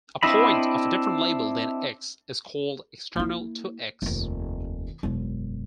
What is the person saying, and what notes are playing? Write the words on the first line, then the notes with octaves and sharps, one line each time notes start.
A point of a different label than "x" is called external to "x".
C4 D4 E4 D#5 B5
A#3 E4
F1 D#2
E1 F#2